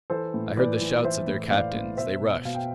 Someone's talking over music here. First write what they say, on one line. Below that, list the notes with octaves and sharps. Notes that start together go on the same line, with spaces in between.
I heard the shouts of their captains; they rushed.
E3 A4 C5
A2
E3 B4 D5
E3
E3 C5 E5
A2
A2 D5 F5
A2
B2 C5 E5
B2
B2 F5
G5